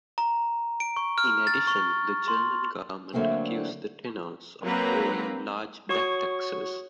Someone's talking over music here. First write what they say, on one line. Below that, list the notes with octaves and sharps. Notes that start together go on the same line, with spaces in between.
In addition, the German government accused the tenors of owing large back-taxes.
A#5
D7
C#6
F6
A6
C#6
C6
D3 F#3 A3 A#3 C4 D4
F#3 A#3 C4 B4 A#5
F#4 C#5 C#6 D#6